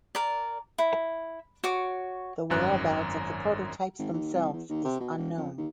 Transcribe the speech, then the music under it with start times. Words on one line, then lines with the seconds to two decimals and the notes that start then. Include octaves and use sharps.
The whereabouts of the prototypes themselves is unknown.
0.15 A#4 D5
0.78 E4
1.64 F#4 C#5 D6
2.50 G#1 F#2 F#6
3.99 G#1
4.13 D#2
4.34 C2
4.53 E2
4.69 D#2
4.85 C3
5.00 B2
5.18 E1
5.36 F2
5.57 D#2